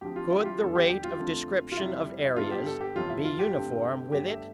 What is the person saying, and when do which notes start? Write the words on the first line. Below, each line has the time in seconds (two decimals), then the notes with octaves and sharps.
Could the rate of description of areas be uniform with it?
0.01 D2 D3 F3 C4 G4
0.16 F4
0.31 E4
0.40 G4
0.45 F4
0.60 E2 D3 G3 A4
0.75 G4
0.89 G4
1.04 F4
1.19 F2 D3 A3 C4
1.72 F4
1.77 F2 C3 G3 E4
2.25 E4
2.36 G2 D3 G3 B3 F4
2.51 G4
2.66 A4
2.81 G4
2.95 G1 F2 C3 E3 F4
3.10 E4
3.25 F4
3.39 G4
3.53 G2 D3 A3 C4
4.12 G1 G2 D3 A3 G4
4.28 E5